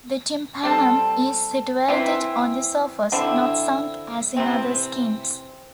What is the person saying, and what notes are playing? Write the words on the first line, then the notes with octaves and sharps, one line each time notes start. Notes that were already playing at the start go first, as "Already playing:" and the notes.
The tympanum is situated on the surface, not sunk as in other skinks.
G3 C4 A4
E3 C4 E4
D3 C4 E4
C3 E3 C4